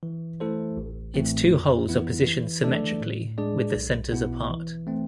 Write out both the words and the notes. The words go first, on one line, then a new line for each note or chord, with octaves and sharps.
Its two holes are positioned symmetrically, with the centers apart.
E3
A3 E4 A4 C5
A1
A2 E3 A3 C4
F2
E3 B3 E4
E3
A3 D4 A4 D5
A2
G#3 D4 G#4 D5
B1
B2 B3 E4
E3
A3 C4